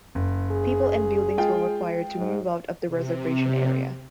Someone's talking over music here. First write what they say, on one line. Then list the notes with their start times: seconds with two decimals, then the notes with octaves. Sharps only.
People and buildings were required to move out of the reservation area.
0.15 F#1
0.51 G#4
1.38 G#3 F4 G5
2.18 G#2
2.87 C3